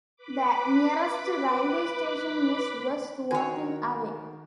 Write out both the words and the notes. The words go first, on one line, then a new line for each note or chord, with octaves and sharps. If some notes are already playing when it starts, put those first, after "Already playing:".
The nearest railway station is West Worthing, away.
B4 B5 D6
D#3 F#4 G#4 A#4 C#5